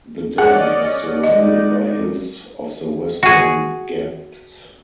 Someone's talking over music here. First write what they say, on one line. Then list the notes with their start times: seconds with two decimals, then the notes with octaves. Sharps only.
The dam is surrounded by hills of the Western Ghats.
0.38 C#4 G#4 D5 D#5 F#5
1.24 G#3 D#4 D5 D#5
3.23 F#4 G#4